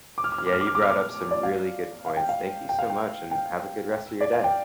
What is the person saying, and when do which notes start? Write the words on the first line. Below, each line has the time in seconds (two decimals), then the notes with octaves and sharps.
Yeah, you brought up some really good points. Thank you so much, and have a good rest of your day.
0.18 D6
0.24 F6
0.32 D6
0.38 F6
0.47 D6
0.53 F6
0.61 D6
0.67 F6
0.75 D6
0.82 F6
0.90 D6
1.31 D5
1.43 F5
2.06 F5
2.17 G5
2.29 F5
2.69 G5
2.79 F5
2.90 G5
3.31 G5
4.21 D5
4.33 F5
4.44 G5